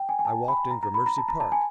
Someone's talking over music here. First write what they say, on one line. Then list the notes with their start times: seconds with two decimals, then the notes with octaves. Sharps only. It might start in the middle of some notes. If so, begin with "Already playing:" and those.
I walked in Gramercy Park.
Already playing: G5
0.09 G#5
0.19 G#5
0.25 A5
0.48 B5
0.71 A#5
0.83 A#5
0.94 B5
1.06 A#5
1.18 A5
1.28 A#5
1.40 A5
1.52 G#5